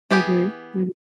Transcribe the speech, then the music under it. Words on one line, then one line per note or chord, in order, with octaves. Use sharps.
Mhm, mhm.
E3 B3 G4 G#4